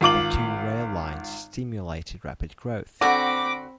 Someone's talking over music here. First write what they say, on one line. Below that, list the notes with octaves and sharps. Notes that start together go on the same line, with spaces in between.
The two rail lines stimulated rapid growth.
G#1 F4 D6 F#7
D3 C4 F#4 B5 D6 A#6